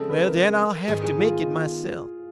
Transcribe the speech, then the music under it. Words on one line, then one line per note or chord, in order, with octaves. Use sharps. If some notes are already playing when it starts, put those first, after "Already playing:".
"Well, then, I'll have to make it myself."
Already playing: C#3 F3 G#3 C4 G#4 A4
B4
A#4
G#2 D#3 G#3 B3 D#4 G#4
G#4
F4